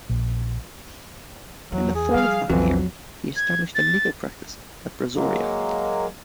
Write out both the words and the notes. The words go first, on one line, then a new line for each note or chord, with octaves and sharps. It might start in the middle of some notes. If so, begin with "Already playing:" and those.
In the fall of that year, he established a legal practice at Brazoria.
A#1
E2 E3 F#3
G#4
F3 G3 F5
B1 F2 E3 F#3 D4
G#6
A6
F#3 G#3 A#3